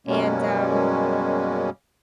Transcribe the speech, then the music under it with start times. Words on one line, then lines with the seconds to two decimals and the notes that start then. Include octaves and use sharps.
And, um,
0.07 F#2 B2 G3 G#3 A#3 C#4